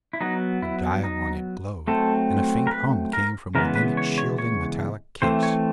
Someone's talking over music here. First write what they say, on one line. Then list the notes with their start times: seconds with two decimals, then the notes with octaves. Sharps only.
A dial on it glowed and a faint hum came from within its shielding metallic case.
0.13 E4
0.21 F#3 B3 D#4
0.62 E4
1.04 D#4
1.87 F#3 A3 C4 A4
2.67 A#4
2.72 B4
3.13 A#4
3.55 C#3 E3 G#3 B3 A#4
3.75 B4
3.97 C#5
4.18 C#5
4.38 C#5
5.22 E3 A3 C4 C5
5.43 C#5